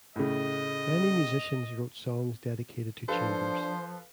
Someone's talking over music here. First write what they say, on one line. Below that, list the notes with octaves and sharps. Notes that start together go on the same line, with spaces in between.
Many musicians wrote songs dedicated to Chambers.
A2 C#3 D#5
F3 D4 A4 B4 C5 F5